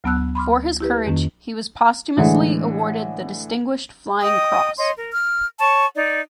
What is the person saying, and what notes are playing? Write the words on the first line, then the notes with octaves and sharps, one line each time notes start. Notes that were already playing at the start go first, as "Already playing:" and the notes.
For his courage, he was posthumously awarded the Distinguished Flying Cross.
D2 F#3 B3 A5 E6 F#6
B5 C6 D6 F6
E4 G4 B4
F2 D#3 A#3 C#4
A2 D3 E3 G#3
D#5 G5 D#6
C#5 D#5 C6
A#4
F6
C#5 A5 C#6
D#4 D5